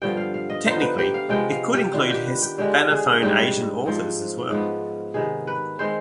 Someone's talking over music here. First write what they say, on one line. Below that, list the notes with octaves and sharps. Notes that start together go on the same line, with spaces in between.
Technically, it could include hispanophone Asian authors as well.
G2 D3 F3 B3 G5
F5
F5
D#5
D3 F3 B3 D#4 C5
B4
G4
F5
C3 F3 G#3 B3 G5
F5
G4
D#3 B3 D4 F4
G4
B4
G4
D3 G#3 D4 G4
G#4
G#2 G3 D4 G4
G#2 F3 C4
G#2 F3 B3
C3 D#3 B3 G#4
B4
D#3 G#3 C4 C5